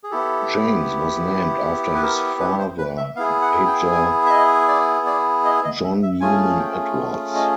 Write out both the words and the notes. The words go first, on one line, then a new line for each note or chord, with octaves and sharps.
James was named after his father and Major John Newman Edwards.
G#4
B3 E4 G4 A4
B4
A#4
B4
C5
B4
E5
B3 E4 G#4 F5
F#5
G5
G#5
E5
D#5
D5
D5
D#5
D#5
E5
E5
A3 C#4 F4 G#4 G#5
G5
D#5